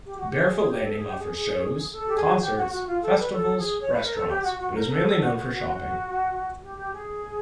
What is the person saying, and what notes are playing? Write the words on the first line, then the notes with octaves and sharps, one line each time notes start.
Barefoot Landing offers shows, concerts, festivals, restaurants, but is mainly known for shopping.
G4
F#4
G4
G#4
G#4
G4
A4
G#4
G4
G#4
A4
G4
G#4
F#4
G4
F#4
F#4
F4
A4
B4
A4
G#4
C#5
B4
A#4
A4
G4
F#4
F#4
A#4
A4
A4
F#4
F#4
F#4
G4
G4
G#4